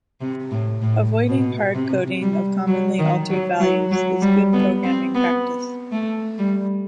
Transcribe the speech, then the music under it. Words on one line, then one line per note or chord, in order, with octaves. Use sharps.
Avoiding hard-coding of commonly altered values is good programming practice.
C3
A2
A2
B2
C3
G3
F#3
D#3
F#3
F#3
F#3
G3
B3
C4
B3
A3
G3